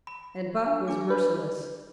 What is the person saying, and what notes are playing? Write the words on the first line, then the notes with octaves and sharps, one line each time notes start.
And Buck was merciless.
B5
D4
D4 G#4 D6
B4